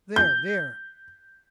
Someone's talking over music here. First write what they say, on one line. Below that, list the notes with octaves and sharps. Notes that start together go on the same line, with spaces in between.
There, there!
G6